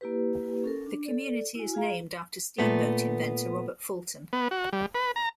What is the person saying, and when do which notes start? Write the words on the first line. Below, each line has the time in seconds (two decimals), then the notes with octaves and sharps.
The community is named after steamboat inventor, Robert Fulton.
0.01 A#3 E4 G4 B4
0.64 C#4 A4 A#4
0.86 D4
1.06 A4 D5
1.55 E4 F#4 G#5
1.73 F4 G#4 F5 A#5
2.58 A#2 A3 B3
4.33 B3
4.51 F#4
4.73 G3
4.95 B4
5.16 A#5